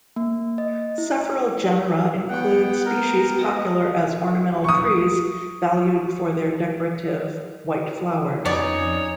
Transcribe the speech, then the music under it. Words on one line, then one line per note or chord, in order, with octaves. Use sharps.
Several genera include species popular as ornamental trees valued for their decorative white flowers.
A#3
D#5
E4
B3 F#5 G5
A#4
D#5
C#6 D#6
F2 B3 C#4 D#4 C#5 D5